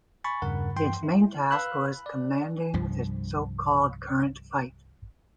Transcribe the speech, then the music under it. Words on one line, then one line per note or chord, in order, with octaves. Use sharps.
Its main task was commanding the so-called "current fight".
G#5 B5 C#6 A6
E2 G2 C#3 A#4 F#5
G2 E3 G5 C6
E4
B4 F5 B5 E6 F#6
D5
C2 G2 F3